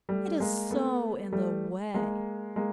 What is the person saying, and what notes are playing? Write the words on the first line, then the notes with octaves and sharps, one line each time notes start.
It is so in the way!
G3 A3
G#3 A#3
A3 B3
G3 A3
G#3 A#3
G#3 A#3